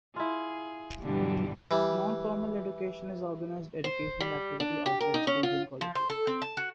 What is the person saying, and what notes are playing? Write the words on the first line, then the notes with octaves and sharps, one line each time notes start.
Non-formal education is organized educational activity outside schools and colleges.
E4 F4 G#4
G2 B2 D3 E3 G3
E3 G3
C5
G3
D4
G4
A#4
D#4
C#4
F4
F3
C5
A4
C4
A5
F#4